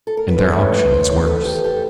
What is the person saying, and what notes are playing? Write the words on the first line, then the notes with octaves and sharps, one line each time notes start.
And their auction is worse.
A4
A#4
B4
C5
F2 C3 E3 A3 B4 C#5
C5
C#5
A#4 C5
A4 B4
G4 A4
G4 A4